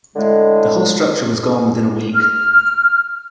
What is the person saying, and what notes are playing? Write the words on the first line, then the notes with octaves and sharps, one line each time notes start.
The whole structure was gone within a week.
A2 D3 G#3
F6